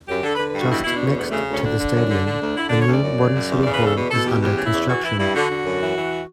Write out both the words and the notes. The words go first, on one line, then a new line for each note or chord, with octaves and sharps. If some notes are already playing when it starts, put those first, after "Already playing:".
Just next to the stadium, a new modern city hall is under construction.
F#2 G4
D3 A4
B4
D3
B4
G2 F#4
B2 E4
B2 E4
D4
E2 C#4
D2 B3
C#3 A3
D2 C#4
D3 D4
D3
F#2
D3
D3
D2
D3 E4
D3 D4
C#5
D2 D5
F#2
C#3
F#2
E2
C#3 D5
B4
E2 A4
B2 B4
B2 A4
E2 G4
E2 G4
C#3
E4
E2
E3 F#4
E3 E4
G2 E4
D3 F#4
D3
F#2
E3
E3